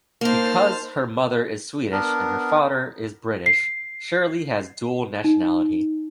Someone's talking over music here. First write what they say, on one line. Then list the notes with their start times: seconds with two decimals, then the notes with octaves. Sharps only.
Because her mother is Swedish and her father is British, Shirley has dual nationality.
0.21 A#3 D#4 C5 A5 F6
1.92 B3 D4 A#4
3.46 C7
5.24 D#4